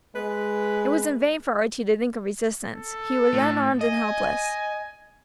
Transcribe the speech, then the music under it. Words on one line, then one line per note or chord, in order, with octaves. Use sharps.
It was in vain for Archie to think of resistance, he was unarmed and helpless.
G#3 B4
A4
A2
D#5 G#5